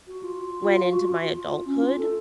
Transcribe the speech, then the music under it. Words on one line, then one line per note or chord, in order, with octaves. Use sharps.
went into my adulthood.
F#4
F4
F#4
F4
C#4
F4
A4